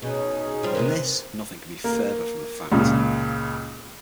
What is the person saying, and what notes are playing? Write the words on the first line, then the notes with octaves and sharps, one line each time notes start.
Than this nothing can be further from the fact.
B2 C#4 D#4 G#4
F3 G3
C3 E3 A#3
A#3
C#2 A#2 C#3